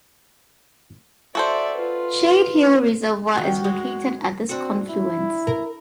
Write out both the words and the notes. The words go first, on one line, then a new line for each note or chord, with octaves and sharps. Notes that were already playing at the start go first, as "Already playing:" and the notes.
Shadehill Reservoir is located at this confluence.
F#4 A4 C5 D5 E5
F4 B4
F2 D#3 F#4
F#2 G#3
C4 D4 F#4
E4
A#4